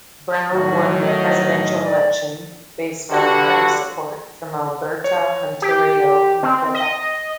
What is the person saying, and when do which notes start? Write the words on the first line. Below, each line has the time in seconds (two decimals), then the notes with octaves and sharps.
Brown won the presidential election based on heavy support from Alberta, Ontario and Quebec.
0.53 A2 D#3 F#3 F#4
1.06 D#5
1.84 D5
3.10 G2 D3 F#4
5.04 C#5
5.62 G4
6.43 C4
6.74 D#5